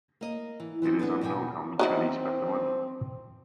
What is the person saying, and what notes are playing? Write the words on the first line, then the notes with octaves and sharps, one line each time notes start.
It is unknown how Miceli spent the money.
A#3 D#5
E3
E3 F3 C4 C#4
B3 D4 G#4 B4
E2 B2 D#5 G5 G#5
F#3 C4 D#4 E4